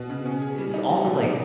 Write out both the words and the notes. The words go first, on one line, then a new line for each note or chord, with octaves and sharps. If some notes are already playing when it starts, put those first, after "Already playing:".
it's also, like,
Already playing: B2
C#3
C#4
G#4
G3
D#4
G3
B2
D#4